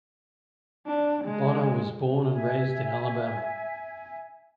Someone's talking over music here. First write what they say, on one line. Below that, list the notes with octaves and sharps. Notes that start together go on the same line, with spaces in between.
Bonner was born and raised in Alabama.
D4
G#3
E5 G#5